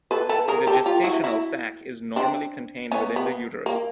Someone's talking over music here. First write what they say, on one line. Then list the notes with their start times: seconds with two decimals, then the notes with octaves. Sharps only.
The gestational sac is normally contained within the uterus.
0.11 A4 B4
0.29 A4 B4
0.48 G#4 A#4
0.67 G4 A4
0.86 F4 G4
1.04 E4 F#4
1.24 E4 F#4
2.16 C4 D4
2.91 B3 C#4
3.16 B3
3.66 A#3